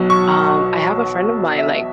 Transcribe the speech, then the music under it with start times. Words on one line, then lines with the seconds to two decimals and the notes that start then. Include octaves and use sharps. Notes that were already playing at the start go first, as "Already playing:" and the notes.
Um, I have a friend of mine, like,
Already playing: B1 B2 F#3
0.10 C#6
1.58 E5